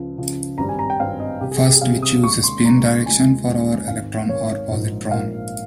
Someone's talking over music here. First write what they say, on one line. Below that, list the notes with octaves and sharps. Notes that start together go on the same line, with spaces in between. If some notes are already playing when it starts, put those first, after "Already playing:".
First we choose a spin direction for our electron or positron.
Already playing: C#2 C#3 F3
C#2 C#3 F3
G#1 G2 G3 C4 A#5
G#5
A#5
G5
G#1 G2 G3 C4 F5
D#5
C2 C3 G3 G4
G#4
G4
G#4
C2 C3 G3 F5
D#6
D#2 C#3 G#3 C#6
C6
D#2 C#3 G#3 A#5
D#2 C#3 F3 G#3 G#5
D#2 C#3 F3 G#3
G#1 G#2 D#3 F5
G#1 G#2 D#3 C#5
A#1 G#2 F3 A#3
A#1 G#2 F3 A#3 F5